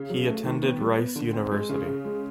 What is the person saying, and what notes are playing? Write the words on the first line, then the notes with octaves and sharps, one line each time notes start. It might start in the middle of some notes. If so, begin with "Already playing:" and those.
He attended Rice University.
Already playing: C#3
F#3
A3
D#3
B3
G3
B3
D3
C4
G#3
C#3
C#3
G#3